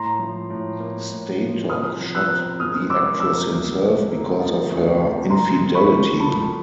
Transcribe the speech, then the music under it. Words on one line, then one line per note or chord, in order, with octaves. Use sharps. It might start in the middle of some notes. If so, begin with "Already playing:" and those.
Statoc shot the actress himself because of her infidelity.
Already playing: A2 A#5 C6
F3
A2
A#3
A2
F3
C3 D#6 F6
F3
E6 F#6
C4
G#3 D#6 F6
C3 D6 E6
F3 D6 E6
D2
C3
A#3
F3
D2
C3
C2 A#5 C6
C3
B5 C#6
A3
F3 A5 B5